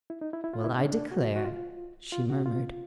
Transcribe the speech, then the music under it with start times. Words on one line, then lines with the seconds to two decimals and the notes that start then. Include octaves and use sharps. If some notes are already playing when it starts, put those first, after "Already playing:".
'Well, I declare,' she murmured.
0.10 E4
0.21 D#4
0.33 E4
0.44 E4
0.53 F4
0.64 E4
0.78 D4
0.85 C#4
0.92 D4
1.11 F#4
1.36 F#4
1.45 F4
2.12 F4
2.30 F#4
2.46 F4